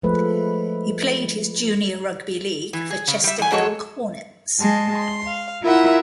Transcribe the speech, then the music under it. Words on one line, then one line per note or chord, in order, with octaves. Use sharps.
He played his junior rugby league for Chester Hill Hornets.
F3 G#3 A3 A4 B4
E3
G#4
C#3
G3 E5
E2 G#5
F2 F#3 A4 C#5
G#3 A5 C6
C6
F5
E4 F4 A#4 E5 F#5